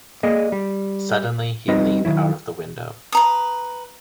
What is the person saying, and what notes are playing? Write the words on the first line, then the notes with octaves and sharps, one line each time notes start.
Suddenly he leaned out of the window.
A#3 G#4 D5 D#5
G3
G3 C4 D#4 B4 D#5
D#3 E3 F#3 E4
B4 A#5 D#6